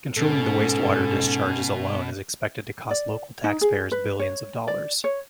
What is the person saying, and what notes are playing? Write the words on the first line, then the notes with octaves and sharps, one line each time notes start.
Controlling the wastewater discharges alone is expected to cost local taxpayers billions of dollars.
G#2 B2 C#4 A4
D5
D#4
G#4
B4
C#5
D5
C#5